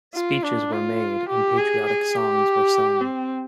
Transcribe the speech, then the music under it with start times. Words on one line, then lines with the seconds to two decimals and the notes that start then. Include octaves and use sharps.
Speeches were made and patriotic songs were sung.
0.15 F4
0.43 D4
0.73 F4
1.30 G4
1.58 G#4
1.87 G#4
2.16 G4
3.01 C4